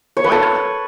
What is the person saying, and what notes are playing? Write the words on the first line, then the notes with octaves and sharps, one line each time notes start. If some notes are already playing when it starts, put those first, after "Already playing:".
"Why not?"
C#5
B4
A4